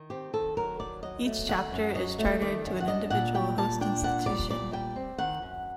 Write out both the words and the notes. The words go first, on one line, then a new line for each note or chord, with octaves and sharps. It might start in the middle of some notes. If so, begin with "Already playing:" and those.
Each chapter is chartered to an individual host institution.
Already playing: D#3
C4 G4
D#3 A4
F#3 A#4
D#3 D5
F#3 D#5
A3
D#3 F#5
F#2
F#3 D#5
A3
D#3 D5
F#2
F#5
D4 D#5
A#2 F#5
G3 G5
A#2 A5
D4 G5
A#2 F#5
G3 D5
A#2 D5
G3 G5
C4
D#3 F#5
F#2